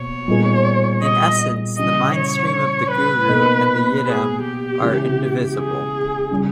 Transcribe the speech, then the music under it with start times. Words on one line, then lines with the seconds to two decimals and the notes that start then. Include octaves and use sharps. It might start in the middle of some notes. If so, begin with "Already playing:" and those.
In essence, the mindstream of the guru and the yidam are indivisible.
Already playing: B2 A#3 C#5
0.28 A#2 G3 B3 D#4 G#4
1.02 D#5
1.78 C#3 E3 G3 C#4 G4 D#5
2.16 C#5
2.91 B4
3.28 B2 A#3 D#4
4.04 G#4
4.43 G4
4.80 C#3 E3 G#3
5.56 G#4
6.30 C#3 G3 C#4